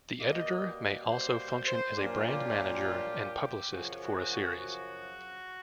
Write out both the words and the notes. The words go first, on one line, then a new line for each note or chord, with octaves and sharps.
The editor may also function as a brand manager and publicist for a series.
B2 G3 A#3 D#5
C5
C5
C5
A#2 F#3 A#3 D4 F4 G4
F#2 C#3 F3 F#4
F#4
F#4
F#4